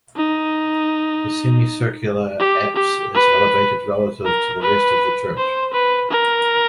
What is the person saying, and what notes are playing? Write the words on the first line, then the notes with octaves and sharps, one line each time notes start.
The semicircular apse is elevated relative to the rest of the church.
D#4
G4
G4
B4
A#4
B4
C5
B4
A#4